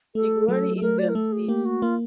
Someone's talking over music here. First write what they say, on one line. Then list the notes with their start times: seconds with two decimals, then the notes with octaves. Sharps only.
The Guarani Indians did.
0.15 A3 A4
0.48 F#3 A4
0.77 A4
0.82 A3 A#4
0.99 D5
1.09 A#4
1.15 A3 A4
1.32 G#4
1.49 A#3 G4
1.65 F#4
1.82 A#3 F4